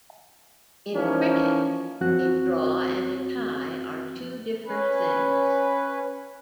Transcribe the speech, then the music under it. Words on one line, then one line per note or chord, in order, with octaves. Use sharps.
In cricket, a draw and a tie are two different things.
E3 F3 A#3 C#4 D#4
F#2 F3 C4 F#4 F#6
C#4 B4